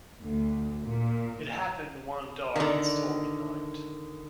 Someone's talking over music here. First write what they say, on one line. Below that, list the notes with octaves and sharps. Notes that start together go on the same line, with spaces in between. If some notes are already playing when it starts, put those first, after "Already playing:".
It happened one dark and stormy night.
D2
A#2
D3 D#3